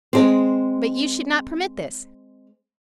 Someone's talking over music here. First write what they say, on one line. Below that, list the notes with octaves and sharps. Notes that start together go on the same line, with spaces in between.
But you should not permit this.
G#3 C4